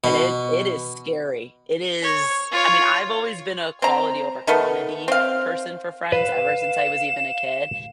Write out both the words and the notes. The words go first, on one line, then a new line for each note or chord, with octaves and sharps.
And it it is scary. It is I mean, I've always been a quality over quantity person for friends ever since I was even a kid,
B2
C#5
F4 C#5
C4 A#5
D#3 A3 B3
C4 F5
B4 F5 E7